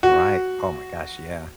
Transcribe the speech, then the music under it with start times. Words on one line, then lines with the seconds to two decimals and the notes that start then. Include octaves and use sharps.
Right, oh my gosh, yeah.
0.03 F#4